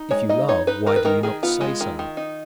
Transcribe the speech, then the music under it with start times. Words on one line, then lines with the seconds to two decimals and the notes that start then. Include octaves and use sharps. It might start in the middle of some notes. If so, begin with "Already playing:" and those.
If you love, why do you not say so?
Already playing: D#4
0.11 G#3 C#5
0.29 D#4 D#5
0.48 D#4 C#5
0.67 D#4 B4
0.86 D#3 A#4
0.96 B4
1.05 D#3 A#4
1.23 D#3 G#4
1.43 B3 F4
1.61 G#3
1.81 D#3
1.99 D#3
2.17 D#4